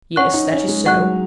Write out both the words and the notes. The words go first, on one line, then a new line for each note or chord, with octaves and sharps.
"Yes, that is so."
C#4 F#5 C#6 F#6
D#4
C#4
G#3
F#3 F#5 C#6 F#6